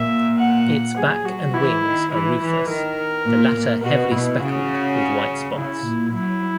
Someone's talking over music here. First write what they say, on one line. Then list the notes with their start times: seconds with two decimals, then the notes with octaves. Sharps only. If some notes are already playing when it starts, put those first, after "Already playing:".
Its back and wings are rufous, the latter heavily speckled with white spots.
Already playing: A#2 E5
0.39 F#5
0.96 F#3 G#4
1.25 F#3 F#4
1.53 E3 E4
1.82 D#3
2.11 E3 E4
2.40 E3
2.68 D#3 A#4
3.25 A#2
3.54 A#2
3.83 B2 F#4
4.11 B2 E4
4.40 C#3 F#4
5.55 C#3 E4
5.84 A#2
6.13 F#3 E4